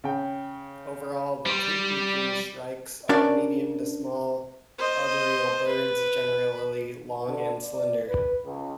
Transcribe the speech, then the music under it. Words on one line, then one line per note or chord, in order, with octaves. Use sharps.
Overall the cuckooshrikes are medium to small arboreal birds, generally long and slender.
C#3 G5
G3 C6 D7
C#4 D4 F#4 A#4 D5
C5 D#5
B4
D3
D5
B4
C#2